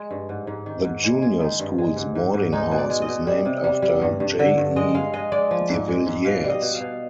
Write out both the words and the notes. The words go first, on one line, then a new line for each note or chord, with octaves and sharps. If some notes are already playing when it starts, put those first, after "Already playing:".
The Junior School's boarding house is named after "J E De Villiers".
Already playing: G#3
G2
G#2
G#2
D#3
G#2
G#3
G#3
D#3
G2
G#3
G#2
G#2
G#2
G#3 D#4
B2
D5
G#3
D#5
B2
G3
C3
G3
G3
G2
G2
D3
G2
G#3 D#5
G#3 F5
G#3 D#5
G#3 D5
F3
G#2
G#3
G#2
B2 F5
G3
D#5
B2
F5
B2